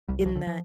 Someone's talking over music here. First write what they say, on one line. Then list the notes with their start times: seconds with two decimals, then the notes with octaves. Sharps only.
in that,
0.08 C2 G3
0.21 G3
0.25 C2 F3
0.36 D3
0.47 F3